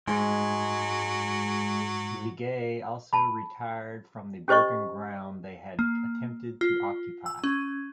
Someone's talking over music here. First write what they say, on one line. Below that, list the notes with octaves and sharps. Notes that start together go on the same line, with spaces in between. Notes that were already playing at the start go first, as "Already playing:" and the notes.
Legeay also retired from the broken ground they had attempted to occupy.
G#2 F#3 G#3
A5 B5
C#4 G4 C5 D#5 C#6
A#3
F4
E6
C#4